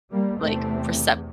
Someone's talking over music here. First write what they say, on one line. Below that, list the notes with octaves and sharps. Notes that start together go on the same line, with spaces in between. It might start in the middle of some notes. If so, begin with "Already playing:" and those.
r like, percept
G3 A#3
E2 C3 A3 C4